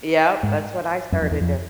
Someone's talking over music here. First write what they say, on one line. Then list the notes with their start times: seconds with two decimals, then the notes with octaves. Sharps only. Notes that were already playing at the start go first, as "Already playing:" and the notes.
Yup, that's what I started to
0.43 G#2
1.12 F#2
1.22 F2
1.31 E2
1.41 F2